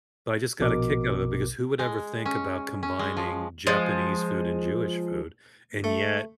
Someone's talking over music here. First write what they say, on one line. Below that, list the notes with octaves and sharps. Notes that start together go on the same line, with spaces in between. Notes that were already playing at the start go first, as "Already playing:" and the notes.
But, I just got a kick out of it, because who would ever think about combining Japanese food and Jewish food? And, yet
A#1 B2 A#4 D6
G#3
C#4
C#4
G#3
F3
F3 G#3
A3